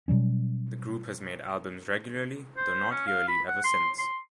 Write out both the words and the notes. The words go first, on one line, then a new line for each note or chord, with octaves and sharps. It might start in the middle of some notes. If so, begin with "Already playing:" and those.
The group has made albums regularly, though not yearly, ever since.
B2 F#3 G3 C#4
C5
C#4
F5
B5
F#5
C6
C6